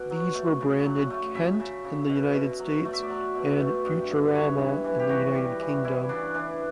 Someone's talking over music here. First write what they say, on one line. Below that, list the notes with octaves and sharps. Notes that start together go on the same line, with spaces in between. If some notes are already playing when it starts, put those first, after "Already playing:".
These were branded "Kent" in the United States and "Futurama" in the United Kingdom.
Already playing: B2 D5 F#5
F#3
A3
C#3
F#3
A3
C#3 E5
C#3
C#3
B2
B2
F#3
A3 D5
E5
D5
F#3
B2
A3
G2
G2
B4
G2 C#5
E3
E3
G4
C#3 F#4
G3
E3
E3 E4
C#3 D4
E3 D4